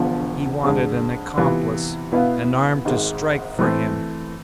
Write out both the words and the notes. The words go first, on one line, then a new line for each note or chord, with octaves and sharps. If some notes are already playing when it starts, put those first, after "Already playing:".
He wanted an accomplice--an arm to strike for him.
Already playing: E1 E2 D3 F3
F2 D3 G#3
C3 E3 B3 F4
B2 B3 E4 B4 F5
G#1 G#2 G#3
E3 A3 C4